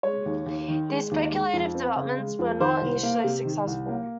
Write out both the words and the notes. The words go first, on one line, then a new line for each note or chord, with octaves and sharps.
These speculative developments were not initially successful.
G#3 C#5
D#2
D#2
D#3
G#3
D#2
G#3
F2
C4
C#3
G#3
F2
D#3 C5
C2
A#3
C3
D#3
C2
A#3